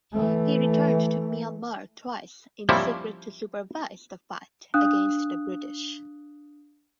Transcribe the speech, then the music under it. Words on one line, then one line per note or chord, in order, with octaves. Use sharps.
He returned to Myanmar twice in secret to supervise the fight against the British.
E3 A3
F3 G3 A#3 C4 C#4 E4
D4 F5 D#6 F#6